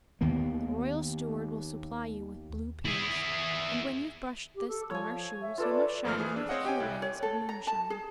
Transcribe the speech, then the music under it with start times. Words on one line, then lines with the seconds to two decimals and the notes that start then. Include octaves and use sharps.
The Royal Steward will supply you with blue paste, and when you've brushed this on our shoes you must shine them with Q-rays of Moonshine.
0.21 D#2 D#3 A#3 B3
2.85 E4 G#4
4.55 G4
4.67 A4
4.90 F3 C#5 G#5
5.42 E5
5.58 F4 A4 B4 D5
6.04 G#1 F2 F3 A3 C4 F6
6.18 E3 G#4
6.36 D4 E6
6.49 C4 C5 C#5 D#5 F5 F#5
6.65 G4 G5 G#5
6.80 C2 E4 F#6
7.02 C#5
7.23 A4
7.49 A#5
7.67 A5
7.90 G#4